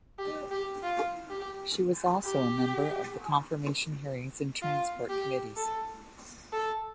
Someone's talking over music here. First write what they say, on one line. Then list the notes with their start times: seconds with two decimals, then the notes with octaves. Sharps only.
She was also a member of the Confirmation Hearings and Transport Committees.
0.19 G4
0.51 G4
0.83 F4
1.30 G4
2.25 G4
4.62 F4
5.10 G4
5.57 A4
6.53 A4